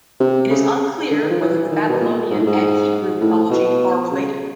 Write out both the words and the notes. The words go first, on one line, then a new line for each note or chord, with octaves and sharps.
It is unclear whether the Babylonian and Hebrew mythology are related.
C3
C#3
D3
D#3
F3
E3
D#3
B2
A#2
G#2
A2
G#2
A2
B2
C#3